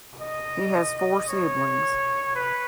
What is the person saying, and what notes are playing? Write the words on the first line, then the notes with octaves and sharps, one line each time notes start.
He has four siblings.
D#5
C#5
B4